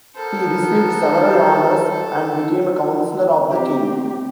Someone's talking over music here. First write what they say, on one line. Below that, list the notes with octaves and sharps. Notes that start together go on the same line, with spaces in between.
He received several honours and became a counselor of the king.
B3 A4 A#4 C5
C4 G4